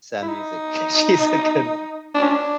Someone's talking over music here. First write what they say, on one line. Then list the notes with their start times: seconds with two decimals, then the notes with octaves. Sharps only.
sad music, she's a good one.
0.22 E4
0.27 D#4
2.14 D4
2.23 C#4
2.31 D4